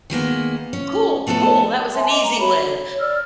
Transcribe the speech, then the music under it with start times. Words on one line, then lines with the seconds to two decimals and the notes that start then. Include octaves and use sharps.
Cool, cool. That was an easy win."
0.10 D#3 G#3 A#3 B3
0.73 C#4
1.27 F3 A3 B3 A4 A5
1.95 E5 G#5 A5 C6
2.10 D#5 D6
2.24 A#5
2.38 F#4 C#5 E5 B5
2.61 C#5
3.00 D5 E6 F6